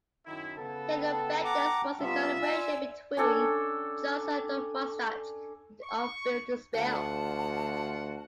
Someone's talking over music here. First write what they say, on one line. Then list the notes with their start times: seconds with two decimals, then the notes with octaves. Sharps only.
Halo Benders was a collaboration between Johnson and Doug Martsch of Built To Spill.
0.26 F#2 D#3 E4
0.57 C#3 B3 A4
0.92 G5 A5
1.44 F#5 A#5 D6
2.00 C3 G3 B3 F4 E5
2.42 D5 G#5 E6
3.17 C#4 D4 A4 G5
5.81 C#6
6.74 D2 F4 F#4 F#5 A5